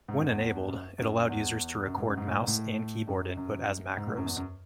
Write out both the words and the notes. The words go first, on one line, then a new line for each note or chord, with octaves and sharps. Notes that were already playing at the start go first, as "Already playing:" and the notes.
When enabled, it allowed users to record mouse and keyboard input as macros.
G#2
F#2
E2
F#2
F#2
E2
F#2
G#2
F#2
G#2
A2
G#2
A2
F#2
F#2
G#2
A2
F#2
E2
F#2